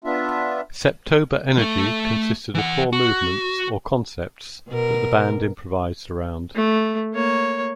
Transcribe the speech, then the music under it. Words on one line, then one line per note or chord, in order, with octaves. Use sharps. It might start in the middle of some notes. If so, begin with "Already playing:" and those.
"Septober Energy" consisted of four movements, or "concepts" that the band improvised around.
B3 D4 F4 E5
A3 A4
E3 F#5
F#4
B2 A#4
A3
A#3 C#5